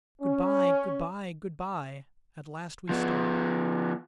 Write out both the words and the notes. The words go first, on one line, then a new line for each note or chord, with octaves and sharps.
"Good-by; good-by; good-by!" At last we start.
C#4
F3 B3